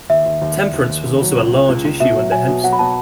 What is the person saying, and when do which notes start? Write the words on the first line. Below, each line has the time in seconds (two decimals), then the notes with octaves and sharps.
Temperance was also a large issue under Hempstead.
0.10 D#2 E5
0.26 D#2
0.42 D#2
0.57 D#2
0.74 D#2
0.89 D#2
1.05 D#2
1.21 F#3
1.37 C#2
1.53 C#2
1.69 C#2
1.85 C#2
2.00 B2 E5
2.16 F#3
2.32 F#3 G#5
2.48 B2
2.64 F#3 F#5
2.73 B5
2.79 B2 A5